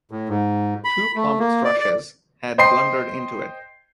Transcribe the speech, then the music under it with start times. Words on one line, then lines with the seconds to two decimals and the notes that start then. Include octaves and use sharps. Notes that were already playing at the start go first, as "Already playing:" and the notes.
Two plump thrushes had blundered into it.
0.11 A2
0.29 G#2
0.84 B5
1.16 A3
1.39 A#3
1.64 D5
1.80 D5
2.58 C5 D#5 G5 C6 C7